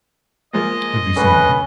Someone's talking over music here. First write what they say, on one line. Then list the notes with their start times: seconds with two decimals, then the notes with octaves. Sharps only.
Have you seen them?
0.53 F3 G#3 A#3 D#5
1.16 F1 C#2 C#4 B4